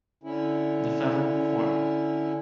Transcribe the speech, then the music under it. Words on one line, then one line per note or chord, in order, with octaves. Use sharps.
The federal court.
D3 C#4 E4